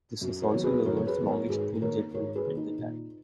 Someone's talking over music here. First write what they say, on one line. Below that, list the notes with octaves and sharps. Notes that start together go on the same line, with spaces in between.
This was also the world's longest twin-jet route at the time.
F#2
A#4 C#5
D#3 F#3 B3
G#4 B4
F#2 A#4 C#5
C#5
G#4 B4
D#3 F#3 B3
A#4 C#5
G#2 G#4 B4
D#3 A#3 A#4 C#5
G#2 A#4 C#5
G#4 B4
D#3 A#3
D#4
A#2